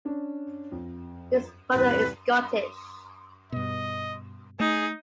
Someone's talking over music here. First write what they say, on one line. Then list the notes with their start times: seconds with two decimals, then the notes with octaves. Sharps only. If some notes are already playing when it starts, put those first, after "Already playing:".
His mother is Scottish.
0.05 C#4 D4
0.72 F2
1.73 E2 G2 C3 B4
3.52 G2 B2 D#5
4.60 A3 D#4 G#4